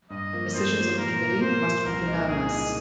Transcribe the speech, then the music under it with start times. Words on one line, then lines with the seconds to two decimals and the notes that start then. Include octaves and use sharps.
Decisions of the committee must be unanimous.
0.10 G2 D#5
0.33 F3 A#3
0.54 G2 C5
0.76 F3 A#3
0.98 A#2 A#4
1.19 F3 A#3
1.41 A#2 C5
1.63 F3 A#3
1.85 C2 A#4
2.07 A#2 G#3 D#4
2.28 C2 G#4
2.50 A#2 G#3 D#4